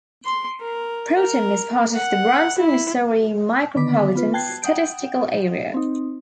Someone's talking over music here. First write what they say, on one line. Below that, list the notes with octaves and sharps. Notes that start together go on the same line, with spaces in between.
Protem is part of the Branson, Missouri Micropolitan Statistical Area.
C6
A#4
A#4
F#5
E4
D3 D#3 B3 D6 B6
B3 F4 B4
G5 A5 F#6 G#6 C7
F#5 G5 D#6 G6 D7
C4 D#4